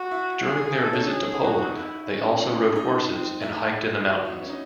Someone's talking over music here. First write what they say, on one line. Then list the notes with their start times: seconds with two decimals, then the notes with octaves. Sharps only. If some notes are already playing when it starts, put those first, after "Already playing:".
During their visit to Poland, they also rode horses and hiked in the mountains.
Already playing: F#4
0.11 E4
0.45 G#4
0.77 E4 A4
0.85 D#4
0.93 C#4
1.00 D#4
1.10 G#4
1.43 D#4 F#4
1.76 E4
2.09 C#4
2.75 D#4
3.08 C4
3.42 A3 E4
3.75 D#4
4.08 F#4
4.25 E4
4.41 C#4
4.49 D#4